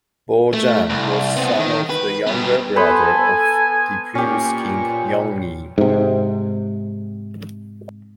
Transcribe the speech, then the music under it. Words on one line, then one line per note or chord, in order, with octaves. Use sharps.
Bojang was son of the younger brother of the previous king Yeongnyu.
A3
C2
B3 C4
D#3
B4
G3 B3
B3 A4 C5 G#5 B5
A#2 C#4 G4 C#6
G#2 C3